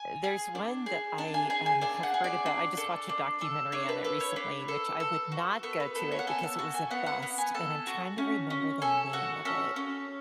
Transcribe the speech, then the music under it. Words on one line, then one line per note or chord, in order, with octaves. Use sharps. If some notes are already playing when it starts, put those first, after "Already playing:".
there's one that I, um, have heard about. I just watched a documentary on it recently, which I would not go to it because it was a bust, and I'm trying to remember the name of it.
Already playing: G#5
G#4
D4
G#4
D4 A5
G#5
G#4 G#5
G#5
D4 G#5
F#5
G#4
D5
D4
A4
D4
A4
D4 C#5
B4
A4 B4
C#5
D4 B4
A4
A4
F#4
B3 A4
B4
B3 A4
C#5
F#5
A4 G#5
A5
F#4 A5
G#5
B3 F#5
F#5
B3 F#5
G#5
A4 A5
F#4
C#4
C#4
A4 G#5
F#4 F#5
C#4 A4
C#4